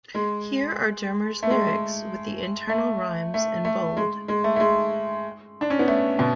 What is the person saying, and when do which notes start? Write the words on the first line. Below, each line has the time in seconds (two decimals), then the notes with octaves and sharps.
Here are Dearmer's lyrics, with the internal rhymes in bold.
0.15 G#3
1.43 A3
1.50 G#3
1.68 G#3
2.69 A3
3.34 A3
3.65 A3
3.97 G#3
4.28 G#3
4.44 A3
4.56 A3
4.60 G#3
5.61 D4
5.70 C#4
5.79 B3
5.88 A3
6.19 B2